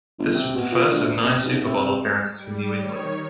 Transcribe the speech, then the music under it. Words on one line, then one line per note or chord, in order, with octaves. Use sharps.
This was the first of nine Super Bowl appearances for New England.
G1
C3
B2
A#2
D2
C3
B1
C3
G3
D#3 C#5